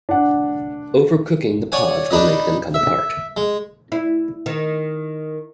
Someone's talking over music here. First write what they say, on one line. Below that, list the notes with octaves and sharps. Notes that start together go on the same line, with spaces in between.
Over-cooking the pods will make them come apart.
D4 F#5
C#5 D5 F#5 G#5
D4 D#4 B4 D#5
E5
G#3
E4
D#3